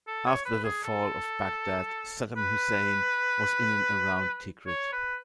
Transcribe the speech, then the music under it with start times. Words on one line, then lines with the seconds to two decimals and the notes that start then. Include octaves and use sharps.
After the fall of Baghdad, Saddam Hussein was in and around Tikrit.
0.08 A4
0.27 C#5
0.46 B4
0.65 G#4
0.84 A4
2.37 B4
4.67 C#5
4.93 B4